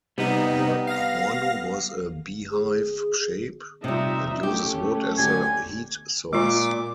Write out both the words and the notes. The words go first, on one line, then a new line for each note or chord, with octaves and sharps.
The horno has a beehive shape and uses wood as the heat source.
C3 G3 B3 D#4
F5 A#6
G#4
C3 G3 D#4 F4 E5
A3 C#4 G4
D2 G4 G#5
A#2 G#3 F4 D6